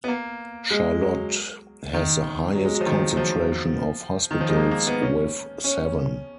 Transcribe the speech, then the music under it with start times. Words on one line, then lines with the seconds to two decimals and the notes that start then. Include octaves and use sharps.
Charlotte has the highest concentration of hospitals, with seven.
0.04 B3
0.08 A#3
0.71 G#3
1.01 F#3
1.94 D#3
2.55 F#3
2.65 G#3
2.75 F#3
2.81 F3
2.86 D#3
3.10 F#3
3.17 F3
4.31 D#3
4.41 F3
4.49 G#3
4.56 A#3
4.71 A#3
4.87 B3
5.03 C#4
5.64 C#4